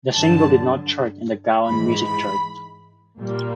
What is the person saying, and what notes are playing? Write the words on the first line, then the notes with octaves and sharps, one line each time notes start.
The single did not chart in the Gaon Music Chart.
G2 D3 F#3 A5
G#2 E3 G#3 B5
B5
A#2 G3 A#3